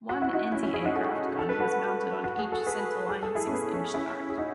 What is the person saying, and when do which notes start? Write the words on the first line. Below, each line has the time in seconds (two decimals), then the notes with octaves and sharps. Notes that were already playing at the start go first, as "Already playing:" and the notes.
One anti-aircraft gun was mounted on each center-line six-inch turret.
0.09 F#4
0.22 E4
0.33 D#4 F#4
0.52 C#4 E4
0.63 C#4 E4
0.74 E4 G#4
0.84 D#4 F#4
0.95 F#4 A4
1.39 A4
1.49 B4
1.60 F#4 A4
2.24 F#4
2.38 G#4
2.52 A4
2.66 G#4 B4
3.09 G#4
3.23 A4
3.35 E4 G#4
3.47 C#4
3.51 B3
3.74 C#4
3.94 C#4 E4
4.30 G#4
4.38 D#4 F#4